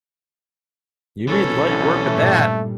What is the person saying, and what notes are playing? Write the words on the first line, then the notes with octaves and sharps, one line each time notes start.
You made light work of that!
B1 E3 C#4 A4
C2
G2 A#2 G3 A3